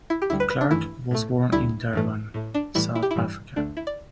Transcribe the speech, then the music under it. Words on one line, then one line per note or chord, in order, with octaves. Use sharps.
Clark was born in Durban, South Africa.
E4
G4
D2 D3 G3 E4
B4
B4
D4
G2 E3 A3 E4
A2 A3
D2 D3 G3 E4
G2 E3 A3
A2 A3
D4
A2 E3 G3 E4
E4
G4
E4
G2 E3 G3
D2 D3 A3 D4
E4
D5